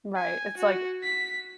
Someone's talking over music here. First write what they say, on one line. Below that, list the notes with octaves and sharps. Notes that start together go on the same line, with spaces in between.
Right, it's like
G#5
F#4
B6